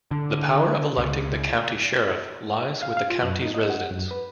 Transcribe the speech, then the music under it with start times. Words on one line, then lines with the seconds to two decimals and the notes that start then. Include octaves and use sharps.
The power of electing the county's sheriff lies with the county's residents.
0.11 D3
0.98 C#2
2.83 F5
2.97 F5
3.10 F4
3.23 F#2
3.41 D#4
3.54 D#5
3.70 F#5
3.91 F#2
4.11 B4